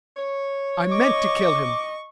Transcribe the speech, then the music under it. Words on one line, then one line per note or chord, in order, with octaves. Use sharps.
I meant to kill him.
C#5
D#5 C#6 D6